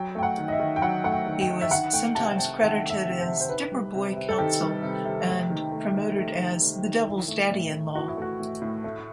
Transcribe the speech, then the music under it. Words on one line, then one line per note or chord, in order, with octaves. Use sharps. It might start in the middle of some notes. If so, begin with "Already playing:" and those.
He was sometimes credited as Dipper Boy Council and promoted as "The Devil's Daddy-in-Law".
Already playing: F#3 G5
A3 G5
F#5
D#3
D#5
E5
D#3
G5
F#3 F#5
A3 F#5
G5
D#3
G5
D#3
E5
D#3 F#5
A3 G5
C3 A5
C3 G5
D#3 E5
A3
E5
C3
C5
C3
C5
D#3 B4
G3
C3
C3
A4
D#3 G4
G3
C3
C3
A3
D#3
A3
D#3
A3
D#3
A3
D#3
E3
A3
A2
A2
E3 F#4
E4
A3 F#4
A2
A2
A3